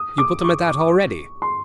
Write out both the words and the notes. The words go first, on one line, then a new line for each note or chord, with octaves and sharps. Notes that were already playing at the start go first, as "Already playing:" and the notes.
You put them at that already?...
Already playing: D#6
D6
C#6
C6